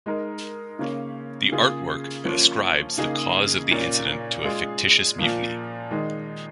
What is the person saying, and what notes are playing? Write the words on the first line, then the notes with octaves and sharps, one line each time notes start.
The artwork ascribes the cause of the incident to a fictitious mutiny.
G#3 D#4 A#4
C#3 A#3 C#4
C#3 A#3 F4 G#4
F3 A#3 C#4 F4
C#3 A#3 D#4 G#4
A#2 A#3 C#4
G#3 F4 G#4
A#2 F3 A#3
D#3 G#3 D#4